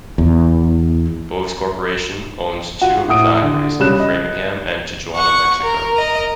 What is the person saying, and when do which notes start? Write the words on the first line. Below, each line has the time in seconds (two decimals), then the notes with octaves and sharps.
Bose Corporation owns two of the factories - in Framingham and Tijuana, Mexico.
0.18 E2
2.81 F4 F#5
3.08 A2 F#5 D#6 D7
3.42 D3
3.80 C#3 G3 C#5 B5 F#6 E7
4.00 D#5
5.15 F#5 C#6
5.62 A#4
5.94 A#4 D#5